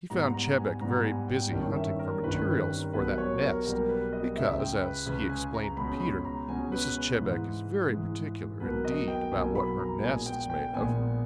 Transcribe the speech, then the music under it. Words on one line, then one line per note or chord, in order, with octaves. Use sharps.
He found Chebec very busy hunting for materials for that nest, because, as he explained to Peter, Mrs. Chebec is very particular indeed about what her nest is made of.
G#2 G3 B3 A#5
A#5
G#5
G#2 G3 B3 A#5
G#5
G5
G1 G2 D#3 G3 C#4 G5
E5
A#4
G1 G2 D#3 G3 C#4 B4
B4
A#4
B1 B2 G3 A#3 B4
C#5
A#4
B1 B2 G3 A#3 A#4
B4
D#5
C#2 C#3 G#3 E5
G5
B4
C#2 C#3 G#3 B4
G#5
A#5
C#2 B2 G#3 C#4 B5
B5
A#5
C#2 B2 G#3 C#4 G#5
B4
B4
G#2 E3 G#3
G#2 E3 G#3
B1 B2 A#3 B4
D#5
G5
B1 B2 A#3 G#5
B5
A#5
A#1 A#2 G#3 B3 G#5
G5
G5
A#1 A#2 G#3 B3 G#5